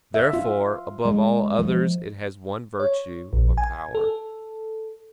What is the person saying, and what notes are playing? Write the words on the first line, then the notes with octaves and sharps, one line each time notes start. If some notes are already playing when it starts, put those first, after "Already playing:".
Therefore above all others it has one virtue or power.
E5
F4
G#3
F3
C#5
A#1
G#5
A4